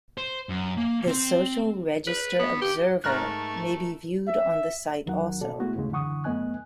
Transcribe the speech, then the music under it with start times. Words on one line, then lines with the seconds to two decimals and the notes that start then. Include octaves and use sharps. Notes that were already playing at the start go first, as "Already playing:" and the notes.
The "Social Register Observer" may be viewed on the site also.
0.18 C5
0.49 F#2
0.77 A#3
1.07 C4 C6
2.07 B4
2.39 B3
2.61 G4
3.04 G#2 A3 A#4 A#5 C#6 F6 F#6 A6
4.28 E5
5.06 E2 D#3 F#3 A#4 F#5
5.41 B2 F#4 A4 D5
5.59 G#3 A3 B3 E4 F#4
5.76 D#2 A2 C#3 G#3 A3
5.91 F#2 D3 E3 F#5 C#6 D#6
6.24 F#2 A3 B3 D#5 G#5 F#6